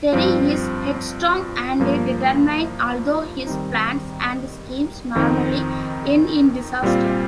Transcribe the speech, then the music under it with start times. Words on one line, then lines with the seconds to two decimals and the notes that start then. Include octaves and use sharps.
Terry is headstrong, and determined, although his plans and schemes normally end in disaster.
0.13 G2 F3 C4 F4
1.80 G2 F3 A#3
3.47 D#3 G3 C4 D#4
5.15 F2 D#3 C4 D#4
6.82 A#2 G3 C4 F4